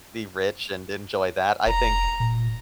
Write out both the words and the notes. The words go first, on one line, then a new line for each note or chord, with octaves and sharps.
be rich and enjoy that. I think
F1 A#5
A#2